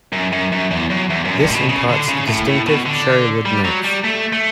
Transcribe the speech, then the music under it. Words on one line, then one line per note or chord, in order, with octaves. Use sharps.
This imparts distinctive sherry wood notes.
F#2
F#2
F#2
E2
F#2
E2
F#2
G2
A2
B2
C#3
D3
C#3
A2
A2
B2
D3
G3
F#3
G3
A3
A3